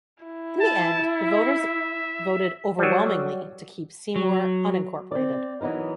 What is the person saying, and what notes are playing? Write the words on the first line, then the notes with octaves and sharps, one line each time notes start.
In the end, the voters voted overwhelmingly to keep Seymour unincorporated.
E4
A5
E5
F#3 G3
F#3
C4 D5
E3 F#3 B3 D#4 A#4